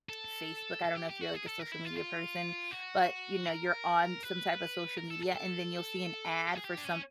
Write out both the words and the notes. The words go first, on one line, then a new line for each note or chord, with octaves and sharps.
Facebook? I don't know if you're, like, a social media person, but, you know, you're on some type of social media, and then you'll see an ad for some
A4
A4
G4
G4
F#4
G#4
A4
A#4
E4
F4
F4
F#4
A#4
B4
A#4
A4
A4
A4
G4
G#4
G4
D4
C#4